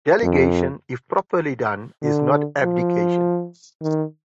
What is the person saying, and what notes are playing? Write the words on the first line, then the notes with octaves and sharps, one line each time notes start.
Delegation, if properly done, is not abdication.
F2
D3
F3
D#3